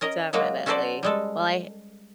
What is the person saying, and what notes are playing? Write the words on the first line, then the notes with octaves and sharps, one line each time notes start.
definitely. Well, I
C#4 A#4 D#5
F#3 G#3 A#3 F#4
C#4 F#4 A4 B4 C5 D5
G3 G#3 A4